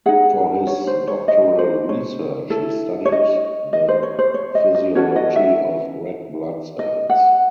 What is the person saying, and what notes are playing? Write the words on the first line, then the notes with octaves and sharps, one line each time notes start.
For his doctoral research he studied the physiology of red blood cells.
D#4 G#4 F#5
C#5
C5
C#5
D#5
C5
C#5
E4 A4
C#5
D#5
D#5
C5
C#5
C5
C#5
D#5
D#5
C#4 F#4 A4 C#5
D#5
E5
D#5
F#5